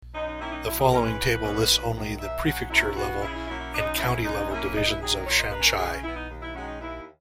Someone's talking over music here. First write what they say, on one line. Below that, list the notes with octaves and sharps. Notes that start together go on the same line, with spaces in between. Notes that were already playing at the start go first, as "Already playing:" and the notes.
The following table lists only the prefecture-level and county-level divisions of Shaanxi.
F#2 D#4
D#4
D#3 A#3 C#4 E4
D#4
F#2 E4
G#4
E3 G#3 C#4 A#4
B4
E2
B2 A#3 C#4
D#2
D#3 F#3 A#3
D#2 E5
C#3 F#3 C#4 F#4
F#2 E4
E3 B3 F#4
C#3 E4
E4
F#3 A#3 C#4 E4
E4
F#2 D#4
C#3 F#3 C#4 E4
F#2 D#4
C#3 F#3 A#3 C#4 E4
D#2 D#4
E4
D#3 F#3 G#4
A#4
A#2 C#5
D#5
A#3 C#4 B4
A#4
C#3 G#4
E3 B3 E4
D#4
D#2
E4
D#3 G#3 C#4 F#4
D#4
D#2 E4